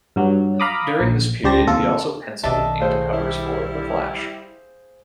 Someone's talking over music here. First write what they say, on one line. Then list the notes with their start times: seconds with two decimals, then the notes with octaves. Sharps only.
During this period he also penciled and inked covers for "The Flash".
0.16 G2 F#3
0.60 F5 A#5 B5 D6 D#6
1.00 A#1
1.44 C#2 G3 G4 C5 A5 A#6
1.67 D#2 C3 F4 A4
2.44 B1 D#3 D4 A4 D#5 E5
2.80 A2 G#4 C5 F5
3.13 G3 E4